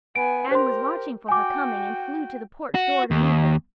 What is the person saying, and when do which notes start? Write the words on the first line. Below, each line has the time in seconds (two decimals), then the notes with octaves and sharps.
Anne was watching for her coming and flew to the porch door to meet her.
0.16 B3 G#5 D7
0.51 G4 A#4 C5 C6
1.29 F#4 G5 G#5 D6
2.75 F#4
3.11 D#2